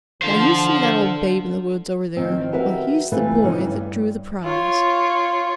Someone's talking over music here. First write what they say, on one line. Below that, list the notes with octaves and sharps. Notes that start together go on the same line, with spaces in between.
Now, you see that old babe-in-the-wood over there? Well, he's the boy that drew the prize.
D3 C5 F5
D#3 F3 C4
F#4 G4 A#4 B4 D#5 E5
E3 G3 A3 C4 F4 B4
C#3 E3 C#4 D#4
G2
F4 C#5